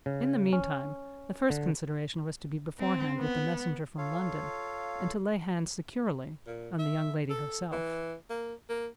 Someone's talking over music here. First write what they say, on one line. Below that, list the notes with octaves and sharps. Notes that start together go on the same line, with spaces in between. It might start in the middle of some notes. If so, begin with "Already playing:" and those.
In the meantime, the first consideration was to be beforehand with the messenger from London, and to lay hands securely on the young lady herself.
C#3
C#4
D3
C4
B3
F4 A4 C#5 F5
A#2
E5
A4
E3
A#3
A#3